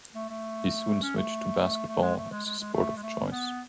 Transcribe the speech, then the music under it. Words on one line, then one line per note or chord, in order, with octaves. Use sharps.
He soon switched to basketball as his sport of choice.
A3
A3
C#4
A3
A3
G#3
A3
G#3
G#3
G#3
A3
G#3
A3
C#4
B3